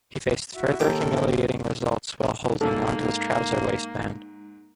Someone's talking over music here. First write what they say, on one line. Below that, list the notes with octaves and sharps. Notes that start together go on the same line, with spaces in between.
He faced further humiliating insults while holding onto his trouser waistband.
E4 F#4 E5
D#2 D#3 G4 A4 A#4
G#2 A#3 A4